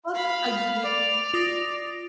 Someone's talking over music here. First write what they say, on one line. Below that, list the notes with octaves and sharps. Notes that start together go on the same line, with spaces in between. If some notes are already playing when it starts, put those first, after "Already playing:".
Plus a year.
F5 B5
D5 F7
F4 D#6 A#6